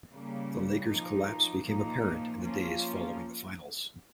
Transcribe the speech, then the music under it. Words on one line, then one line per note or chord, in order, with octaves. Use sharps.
The Lakers' collapse became apparent in the days following the Finals.
C#3 G3 A#3
F3 A#3 D#4
A#2 F3 A#3 D#4
F3 A#3 C#4 F4